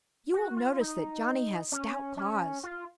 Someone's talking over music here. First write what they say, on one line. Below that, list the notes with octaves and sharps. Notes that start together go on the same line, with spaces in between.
You will notice that Johnny has stout claws.
F#4
F4
D#4
C#4
C#4
F4